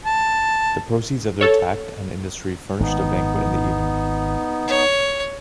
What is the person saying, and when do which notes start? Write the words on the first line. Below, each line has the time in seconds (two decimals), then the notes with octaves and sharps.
The proceeds of their tact and industry furnished a banquet in the evening.
0.05 A5
1.41 A4 C#5
2.80 G#1 B3 D#4
4.68 C#5